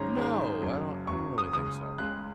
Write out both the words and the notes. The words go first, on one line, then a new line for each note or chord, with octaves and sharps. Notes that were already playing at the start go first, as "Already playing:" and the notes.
No, I don't I don't really think so, no.
Already playing: G#1 G#2 G#3 C#4 A#5
G#1 G#2 G#3 C#4
F#1 F#2 F#3
F#1 F#2 F#3 C#6
D#6
C#2 C#3 G#3 D#6
C#2 C#3 G#3 F#6